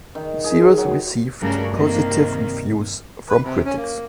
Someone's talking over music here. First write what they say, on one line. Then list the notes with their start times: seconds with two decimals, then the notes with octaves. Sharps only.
The series receive positive reviews from critics.
0.15 D#3
0.44 G#4
0.78 F#3
1.42 G2 C#3 G3 A3 F#4 A#4
1.74 C3 D#3 A#3 D#5 A#5
3.29 B4
3.43 C3
3.65 C#4
3.77 A#3